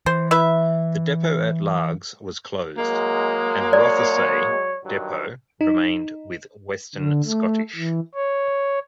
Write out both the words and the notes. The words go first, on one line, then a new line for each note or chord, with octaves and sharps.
The depot at Largs was closed, and Rothesay depot remained with Western Scottish.
E3 C5
E4 B4 E5
F#3 G#3 A#3
C#5 D5
G2 D#3 F#3
D#4
D3
A3
E3
C#5